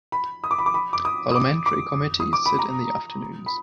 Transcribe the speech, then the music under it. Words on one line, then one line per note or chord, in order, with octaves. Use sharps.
Parliamentary committees sit in the afternoons.
B5
D#6
D6
B5
D6
B5
D6
D#6
D#6
D6
D6
D#6
D6
B5
A#5
B5